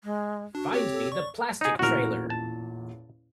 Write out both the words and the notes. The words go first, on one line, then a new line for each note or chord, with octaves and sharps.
Find me the Plastic trailer.
G#3
D4 F#4
C4 G4 C#5
A4
D5 C#6
D#4 G#4
A1 E2 A#2 F#4 A#4
A5